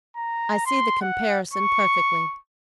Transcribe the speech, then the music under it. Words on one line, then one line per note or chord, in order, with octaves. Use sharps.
I see the comparison perfectly.
A#5
C6
F#5
C#6